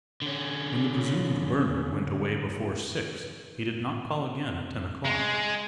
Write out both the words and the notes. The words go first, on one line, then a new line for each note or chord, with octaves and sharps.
When the presumed Bernard went away before six, he did not call again at ten o'clock.
D3 C#4
G#3